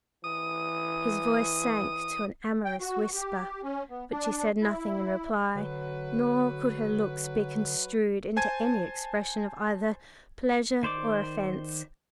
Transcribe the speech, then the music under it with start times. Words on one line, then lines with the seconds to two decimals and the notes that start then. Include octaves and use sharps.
His voice sank to an amorous whisper; but she said nothing in reply, nor could her looks be construed into any expression of either pleasure or offence.
0.24 E3 D#6
2.65 G5
2.81 F#4
3.14 G4
3.63 C#4
3.90 B3
4.11 D4
4.61 E4
5.55 D3 F#3 B4
6.92 D3
8.36 C5 G#5 A5 G#6 D#7
10.83 D#3 C5 D5 D6